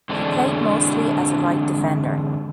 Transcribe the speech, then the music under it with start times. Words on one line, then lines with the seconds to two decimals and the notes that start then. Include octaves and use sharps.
He played mostly as a right defender.
0.09 D3 E3 G#3 C4 D4